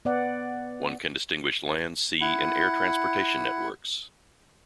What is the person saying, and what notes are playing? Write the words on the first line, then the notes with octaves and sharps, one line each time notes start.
One can distinguish land, sea and air transportation networks.
B3 D5 F#5
E4 F#5